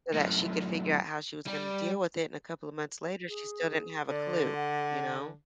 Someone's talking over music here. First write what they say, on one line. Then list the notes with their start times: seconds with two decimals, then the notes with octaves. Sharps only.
so that she could figure out how she was gonna deal with it. And a couple of months later, she still didn't have a clue. You know?
0.14 F#2 A2
1.46 G3
3.29 G#4
4.09 D3 D5
4.55 F#5